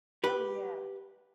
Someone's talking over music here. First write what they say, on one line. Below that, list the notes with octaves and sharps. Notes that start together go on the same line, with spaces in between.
Oh, yeah.
G4 B4